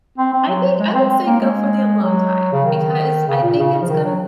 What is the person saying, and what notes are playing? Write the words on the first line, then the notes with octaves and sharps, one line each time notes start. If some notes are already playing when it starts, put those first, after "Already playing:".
I think I would say go for the alone time because I think it's gonna
C4
C4
F#3
F#3
G#3
C4
C4
A#3
G#3
F#3
C#3
D#3
C#3
A#2
C#3
C#3
F3
D#3
F#3